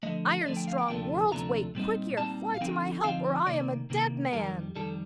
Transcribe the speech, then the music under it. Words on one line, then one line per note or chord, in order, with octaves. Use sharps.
'Iron-strong, World's-weight, Quick-ear, fly to my help, or I am a dead man!'
D3 F3 A3 D#5
D#5
D3 F3 A3 D5
G5
F5
G5
D2 C3 F3 A3 D4 G5
D2 C3 F3 A3 D4 A#5
A#2 G3 C4 D#4
A#2 G3 C4 D#4 A5
F5
D3 F3 C4 D#4 G5
D3 F3 C4 D#4 F5
C3 D#3 A#3 D5
C3 D#3 A#3
F2 D#3 G3 A#4
F2 D#3 G3 A4